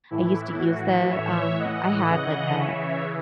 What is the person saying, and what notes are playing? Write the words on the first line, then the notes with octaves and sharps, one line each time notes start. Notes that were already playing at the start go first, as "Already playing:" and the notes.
I used to use the, um I had, like, a
A2 E3 E4
F#4
C#5 E5
D#5 F#5
C#3 E3 D#5 F#5
C#5 E5